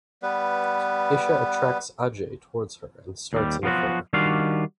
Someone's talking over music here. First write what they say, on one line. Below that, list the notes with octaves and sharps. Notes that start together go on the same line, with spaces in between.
Isha attracts Ajay towards her and starts an affair.
G3 B3 B4
D#2 G3
F3 F#3 B3 F4 F#4
D#3 G3 D4 F4 F#4 F5